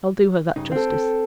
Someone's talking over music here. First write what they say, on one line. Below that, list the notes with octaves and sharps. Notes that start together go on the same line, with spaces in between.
I'll do her that justice.
G2 C#3 D#4
C4 A4 G5